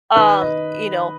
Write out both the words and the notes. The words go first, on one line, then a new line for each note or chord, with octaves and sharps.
um, you know,
D#3 B4
D#5